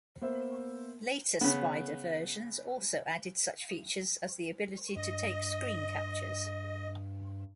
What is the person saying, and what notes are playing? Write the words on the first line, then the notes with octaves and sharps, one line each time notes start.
Later Spider versions also added such features as the ability to take screen captures.
A#3 B3 C5 E5
C#3 B3
G2 D#5